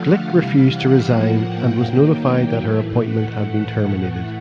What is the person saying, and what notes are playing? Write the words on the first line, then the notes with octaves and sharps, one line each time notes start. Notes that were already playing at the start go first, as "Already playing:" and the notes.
Glick refused to resign and was notified that her appointment had been terminated.
Already playing: D3 F3 A3 F5 F#5
C3 E3 G3
F#5
A2 F3 A#3
G5
D#3 F#3 A#3
A2 E3 A3
F#5
A2 E3 A3 F#5